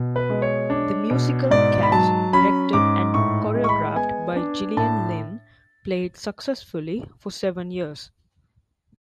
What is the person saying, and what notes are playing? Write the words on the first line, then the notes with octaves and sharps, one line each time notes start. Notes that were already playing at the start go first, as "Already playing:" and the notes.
The musical "Cats" directed and choreographed by Gillian Lynne played successfully for seven years.
Already playing: B2
B4
G#3
C#5
D4
B2
G#2 D5
B5
F#3 A5
C#4 B5
G#2 D6
A2 C#6
G#3
C#6
B5
B3 G#5
D4
A2 A5